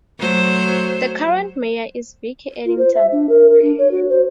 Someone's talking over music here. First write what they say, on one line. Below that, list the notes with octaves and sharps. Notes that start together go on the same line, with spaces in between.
The current mayor is Vicki Edington.
F#3 A3 C5
F4
C5
E5
D4
A#4
A#4
D4
C#5
F#4
C5